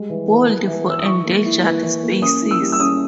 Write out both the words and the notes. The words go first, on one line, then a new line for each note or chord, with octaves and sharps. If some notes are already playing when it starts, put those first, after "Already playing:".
Bold for endangered species.
Already playing: G3 G#3
E3
E3
E3
E3
E3 E6
D#6
E3 C#6
A#3
E4
E3
E3
A#3
C#4 D#6
E4
E6
G3
E6
C#4 D#6